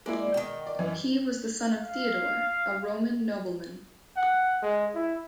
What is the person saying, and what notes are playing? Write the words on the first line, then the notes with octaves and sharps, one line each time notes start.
He was the son of Theodore, a Roman nobleman.
G#3 A#3 E4 D5
B2 D#3 G5
D5
F#2 E3
F5
F#5
G#3
E4